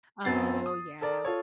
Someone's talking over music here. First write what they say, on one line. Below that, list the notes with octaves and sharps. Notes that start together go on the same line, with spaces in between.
Oh, yeah.
F#2 B3 C4 A6 C7
D#6
A4 A#4 D5
F4 A4 C#5